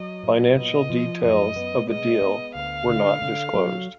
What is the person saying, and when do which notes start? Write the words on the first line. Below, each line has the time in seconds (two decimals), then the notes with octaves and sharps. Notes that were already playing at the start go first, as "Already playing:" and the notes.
Financial details of the deal were not disclosed.
Already playing: F#3 D#5
0.23 A#2
0.56 B3 D#5
0.90 F3
1.22 F#2 D#5
1.56 B3
1.89 G#3 D#5
2.22 B3
2.55 D2 F5
2.88 D3
3.22 D3
3.54 F#3